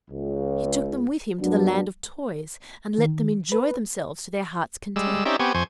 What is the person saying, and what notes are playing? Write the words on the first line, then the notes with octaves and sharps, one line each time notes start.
He took them with him to the Land of Toys and let them enjoy themselves to their heart's content.
C#2
G2 F#3 A#3 B3 D4
D#3
B4
G3 G#3 E6
C4 C#4 D#4 G4 D5 E5
B3 C4 G4 G#5 C#6
F2 C5 G#5 C#6